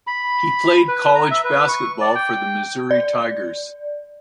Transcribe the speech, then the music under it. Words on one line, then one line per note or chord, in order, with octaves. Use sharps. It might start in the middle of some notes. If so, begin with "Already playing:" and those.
He played college basketball for the Missouri Tigers.
B5
B4
A#5
E5
B4
C#6
D5
G5
D5